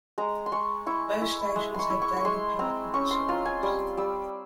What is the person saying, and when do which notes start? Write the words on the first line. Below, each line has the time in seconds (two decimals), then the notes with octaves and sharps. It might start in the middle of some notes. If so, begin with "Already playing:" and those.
Both stations have daily parking facilities.
0.18 G#3 A#5
0.46 C6
0.52 G#3 C#6
0.86 E4 C#6
1.21 E4
1.56 G#3
1.74 C6 C#6
1.90 E4
2.02 C#6
2.17 C#6
2.25 G#3 C6
2.59 C4 A#5
2.94 C#4 C#6
3.11 C6
3.28 F4 A#5
3.46 G#5
3.63 G3 C6
3.97 G3 E6